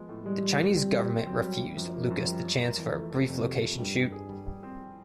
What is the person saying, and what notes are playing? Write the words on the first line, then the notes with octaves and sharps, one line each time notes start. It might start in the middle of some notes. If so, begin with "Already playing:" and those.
The Chinese government refused Lucas the chance for a brief location shoot.
Already playing: F3 G#3 B3
A2
G3 G#3
F3
F3
G3 C4
E3
C4
F#3 C4
G3
E3
F#2 F3
A#3
F#2
G3
F#2
A#3
F2 E3
A3
A3
F2 C3
A3
A3
G2 G3
G3
G#4
G3
G3
C4